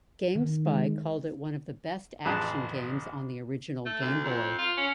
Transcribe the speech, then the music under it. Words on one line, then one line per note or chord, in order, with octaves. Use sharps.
GameSpy called it one of the best action games on the original Game Boy.
D#3
G#3
A1 F2 G#4 A5 F#6
A3
D2
F2
F4
C#4